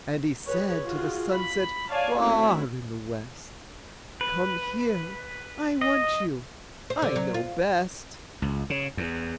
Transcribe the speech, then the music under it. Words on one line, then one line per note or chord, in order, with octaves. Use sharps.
And he said to the sunset far in the West, "Come here; I want you; I know best."
G#4 B4 C#5
F4 F#4 G#4
B5
C#5 D5 F5 G#5 A5
A3 C4 C#4 E4 F#4
B4
D#5
C5
D3
F#3
F4
C#2
C#3
E2